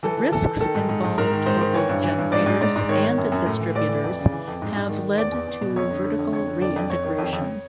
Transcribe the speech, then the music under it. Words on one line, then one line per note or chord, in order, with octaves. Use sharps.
The risks involved for both generators and distributors have led to vertical re-integration.
E3 A4
E3
E3 A4
E3
D#3 A4
G#2
G#2
G#2
G#2 A#4
D#3
G#2 C5
D#3
E3 C#5
G2
E3
G2
G#2 D5
G#2
G#2 D5
G#2
D#3 C#5
D#3
F#2
F#2
A2
E3
A2 D5
E3
F2
C#3
E3
F2
G#2
G#2
D#3
D#3
E2 D5
E2
E2
B2
F2 C#5
D3
D3
F2
F2 C#5
D3
F2 D5
F2
F2 C#5
D#3
F2
F2